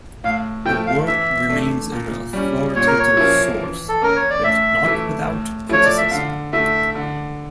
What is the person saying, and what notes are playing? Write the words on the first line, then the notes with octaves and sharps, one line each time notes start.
The work remains an authoritative source, but not without criticism.
A2 F5
F3 A3 E4 G5
F5
E3 E5
A3 D4
A#2
G3 C#4
A#2 C#5
A#4
C#5
F3 A#3 C#4 E4
E3
A4
A#3 C#4 A#4
C#5
D5
A2 E5
E3 A3 E4
A2
F3 A3 E4 C#5
D5
E5
D3 F5
A3 E4 E5
D3